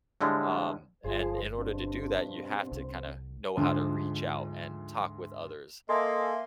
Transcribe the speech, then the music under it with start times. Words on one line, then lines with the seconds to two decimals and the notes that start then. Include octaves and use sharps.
um, and in order to do that you have to kinda know how to reach out, and talk with others,
0.21 A2 D3 G3 G#3
1.04 G1 F3 G#4 C5
1.58 G2 B2 C4 D4
2.72 C2
3.57 D2 G#2 D3 F3 C5
5.89 A#3 A4 D#5 E5 G#5 C6